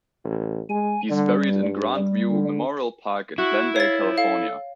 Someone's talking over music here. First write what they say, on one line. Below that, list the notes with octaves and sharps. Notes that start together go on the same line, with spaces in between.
He is buried in Grand View Memorial Park in Glendale, California.
A1
G#3 G#5
D3 G3
G2
G3
D3
E4 F#4
C#5 F5 A6
F3
A4 F5